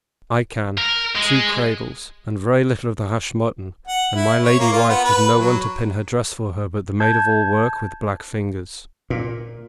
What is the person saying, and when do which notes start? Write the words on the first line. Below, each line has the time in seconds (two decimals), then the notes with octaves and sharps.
"I can;--two cradles, and very little of the hashed mutton; and my lady wife with no one to pin her dress for her but the maid of all work with black fingers."
0.78 A#4
1.16 G#3
3.87 F#5
4.14 E4
4.42 C#5
4.60 A#3
4.72 F4
4.89 B3
5.05 B4
5.36 F#3
7.00 A5 G6 G#6
9.10 A#2